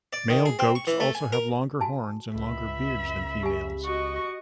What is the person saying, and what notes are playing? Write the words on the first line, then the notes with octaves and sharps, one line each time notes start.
Male goats also have longer horns and longer beards than females.
D5
D#3
G#4
C4
C#6
E3
A3
G#5
A#4
F#4 G#5 A5
C#2 E5 B5
G4 G#5
F#4 D#5 C#6